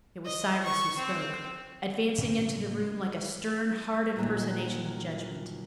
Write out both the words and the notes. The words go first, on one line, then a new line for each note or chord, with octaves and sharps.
It was Cyrus who spoke, advancing into the room like a stern, hard impersonation of judgment.
D#5
C#6
C4
A2 C#3 A#3
D#2 A#2 F#3 G3 F#4 G#4